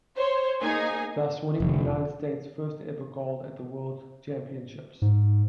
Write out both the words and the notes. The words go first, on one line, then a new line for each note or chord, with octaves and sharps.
Thus winning the United States's first ever gold at the World Championships.
C5 C#5
A#3 D#4 G#4 G#5
F1
G#2